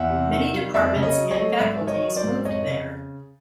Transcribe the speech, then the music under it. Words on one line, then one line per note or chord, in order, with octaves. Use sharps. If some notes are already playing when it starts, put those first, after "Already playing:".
Many departments and faculties moved there.
Already playing: E2 E5 F#5
C3
D#3
G3
F2 D5 E5
C#3
C#5 D#5
F#3
C#5 D#5
A3
G#2 D5 E5
D#3
C#5 D#5
F#3
C5 D5
G#2
F2 C#5 D#5
C#3